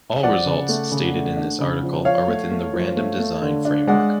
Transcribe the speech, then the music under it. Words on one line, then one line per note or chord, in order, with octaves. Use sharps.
All results stated in this article are within the random design framework.
F3 D5 F#5
C#3
A3
C#3
A3
D4
C#3
F3
F3 C#5 F5
A3
A3
F3
A3
A3
D3
D4
G#3 D5 F#5